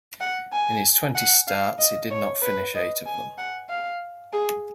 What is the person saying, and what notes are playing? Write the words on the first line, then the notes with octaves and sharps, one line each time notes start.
In his twenty starts, he did not finish eight of them.
F#5
G#5
F#5
F5
D#5
C#5
B4
D#5
G#5
F#5
F5
G#4